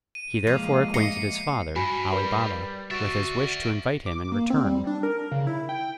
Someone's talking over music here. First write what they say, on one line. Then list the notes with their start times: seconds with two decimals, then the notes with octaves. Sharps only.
He therefore acquainted his father, Ali Baba, with his wish to invite him in return.
0.15 D#7
0.47 F3 G#3 A#3
0.94 D#5 C7 C#7 D#7
1.76 G2 F#4 G#5 B5
2.11 G3 A#4 B4 B5
2.91 F#4 D5 E5 A6
4.06 D6
4.32 A#3
4.50 C4
4.65 G3
4.87 D4
5.03 A#4
5.31 C#3
5.47 E4
5.69 G5